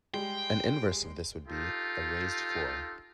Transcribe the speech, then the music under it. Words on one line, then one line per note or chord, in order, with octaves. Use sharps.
An inverse of this would be a raised floor.
G3 G#3 G5
D#4 F4 G4 A4